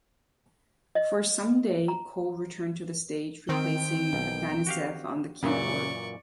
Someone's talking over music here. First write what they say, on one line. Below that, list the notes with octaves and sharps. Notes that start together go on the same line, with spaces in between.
For "Someday", Cole returned to the stage, replacing Afanasieff on the keyboard.
D#5
A#5
D#3 C4 G5
B1
F#4 G4 F5
F#2 A#2 C#3 E3 D5 C#6